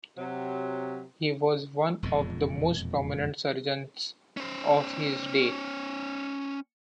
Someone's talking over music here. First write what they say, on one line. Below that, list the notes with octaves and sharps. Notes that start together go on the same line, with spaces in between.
He was one of the most prominent surgeons of his day.
C3 F#3
E1 F2 A#2 G#3
C#4 C5